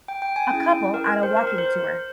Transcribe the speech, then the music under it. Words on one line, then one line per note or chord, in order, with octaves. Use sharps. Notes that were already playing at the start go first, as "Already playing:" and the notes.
A couple on a walking tour.
G5
G5
G#5
C#4 E4 G#4 G5
A#4
A#4
C5
A#4
A#4
C5